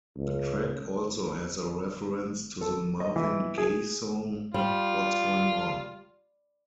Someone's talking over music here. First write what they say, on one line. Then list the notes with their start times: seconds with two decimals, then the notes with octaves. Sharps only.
The track also has a reference to the Marvin Gaye song What's Going On.
0.17 C#2
2.61 A4
3.00 D#5
3.16 E3
3.58 G#4
4.54 G3 F4